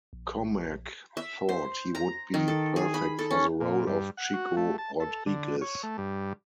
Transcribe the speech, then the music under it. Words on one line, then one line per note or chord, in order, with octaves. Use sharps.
Komack thought he would be perfect for the role of Chico Rodriguez.
A#1
E5
C5
A#5
D#3
A4
G#4
B5
A4
C#4
A#2
G2
F#5
F#4
A3
A5
A4
D3
C#5
A3
G2